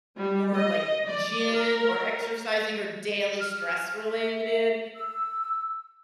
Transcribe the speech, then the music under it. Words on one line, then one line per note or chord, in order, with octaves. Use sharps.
more like gym or exercising or daily stress related,
G3
D#5
D5
A#4
F6
E5
E6